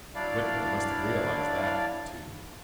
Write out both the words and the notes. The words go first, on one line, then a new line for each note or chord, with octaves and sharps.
Whitburn must have realized that, too.
F#3 D4 E4 D5 F5